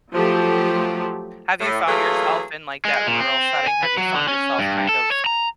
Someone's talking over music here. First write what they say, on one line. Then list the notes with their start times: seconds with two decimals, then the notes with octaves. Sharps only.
Have you found yourself in, like, that rural setting? Have you found yourself kind of,
0.13 F3 F#3 A3 G4
1.61 A2
1.87 E3 F#3 A3 A#3 F4 G#4
2.85 G#3
3.07 A#2
3.21 C4
3.68 G#5
3.83 B4
3.98 F#3
4.14 D3
4.28 C#4
4.59 G2
4.89 A4
5.12 C#5
5.26 A#5